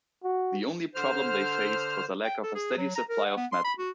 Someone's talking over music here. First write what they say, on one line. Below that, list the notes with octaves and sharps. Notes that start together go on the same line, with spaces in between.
The only problem they faced was a lack of a steady supply of metal.
F#4
D3 C5 F6
G5
A4
G#4
F#3
A#5
A#4
F#5
B3
C6
B5
F#4